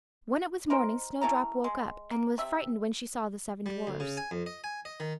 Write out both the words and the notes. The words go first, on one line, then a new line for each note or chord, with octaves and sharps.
When it was morning, Snowdrop woke up, and was frightened when she saw the seven dwarfs.
D#4 A#4 C5
C#4 E4 A4 A#5
G#3
A#3
C3 E5
G3
D2
C#3
G#5
F2
D#5
G#5
D#5
D#3